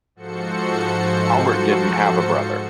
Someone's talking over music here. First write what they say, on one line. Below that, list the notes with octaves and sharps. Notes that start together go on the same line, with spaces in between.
Albert didn't have a brother.
G#2 F3 F#4 A4 C5 C#7